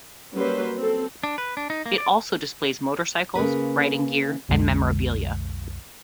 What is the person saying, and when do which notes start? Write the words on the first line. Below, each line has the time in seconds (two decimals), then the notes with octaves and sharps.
It also displays motorcycles, riding gear, and memorabilia.
0.34 F#3 G3 A#3 C#4 B4 C5
0.78 C4 A4
1.23 D4
1.38 B4
1.57 D4
1.70 D#4
1.86 A#3
1.98 D5
3.35 C#3 A#3 B4
4.49 B1 F2 D3 G#3